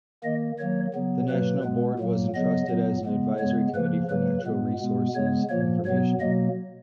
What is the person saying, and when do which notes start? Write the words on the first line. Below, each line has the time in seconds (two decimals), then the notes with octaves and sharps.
The national board was entrusted as an advisory committee for natural resources information.
0.24 D#3 A#3 D#5
0.59 D#3 F#3 A#3 C#5
0.94 C#3 F#3 B3
1.29 B2 F#3 A#3 B4
1.64 B2 G#3 B3
2.00 A#2 F#3 A#3
2.35 C#3 F#3 B3 D#5
2.69 A#2 F#3 B3
3.04 C#3 G#3 B3
3.39 C#3 G#3 B3 C#5
3.75 C#3 F3 A#3 B4
4.10 C#3 F#3 A#3 B4
4.44 A#2 G#3 B3
4.80 B2 G#3 B3
5.15 C#3 G#3 B3 C#5
5.50 A#2 F3 A#3 C#5
5.86 B2 F#3 B3 C#5
6.21 B2 F#3 A#3 D#5